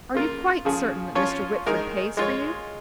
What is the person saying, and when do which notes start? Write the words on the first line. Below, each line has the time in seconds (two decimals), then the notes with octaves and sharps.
"Are you quite certain that Mr. Whitford pays for you."
0.14 C#3 A#3 F4 A#4
0.65 C#3 F3 C#4 G#4
1.15 F3 C#4 F4 C#5
1.66 D#3 G#3 D#4 A#4
2.17 G#3 F4 C#5